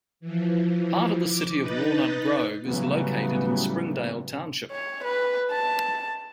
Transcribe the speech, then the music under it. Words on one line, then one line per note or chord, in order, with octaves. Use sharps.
Part of the city of Walnut Grove is located in Springdale Township.
E3 F3
D6
D#4 B4 D#5 F#6 G6 A6
A2 C#3 E3 F#3 G3 B3
C#5
B4
A5